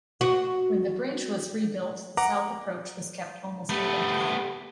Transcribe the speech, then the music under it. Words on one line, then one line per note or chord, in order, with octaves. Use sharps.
When the bridge was rebuilt, the south approach was kept almost identical.
F#4
F#5 A#5 D6
A3 B3 G4